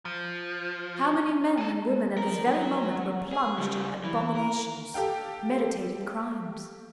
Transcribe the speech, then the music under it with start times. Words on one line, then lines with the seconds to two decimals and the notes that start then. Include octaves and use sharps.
How many men and women at this very moment were plunged in abominations--meditated crimes.
0.05 F3
1.58 G#4 A4
2.18 D#4 A#4
2.46 F#3
3.33 G#4
3.58 C#3 G3
4.04 E3
4.35 A#4
4.94 G4 A4 F5 G5